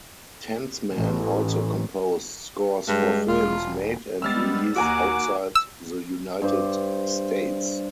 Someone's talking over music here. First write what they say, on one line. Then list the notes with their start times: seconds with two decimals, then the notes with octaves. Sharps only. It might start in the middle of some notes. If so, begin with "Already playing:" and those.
Tansman also composed scores for films made and released outside the United States.
0.92 A1
2.88 G2 G#3
3.28 E1 F4
4.22 G3 G#3 B3 E6 F6 A6
4.76 D#2 D#3 A#3 F#4 F#5 G#5 A#5 D6
5.55 E6
6.42 G2 C5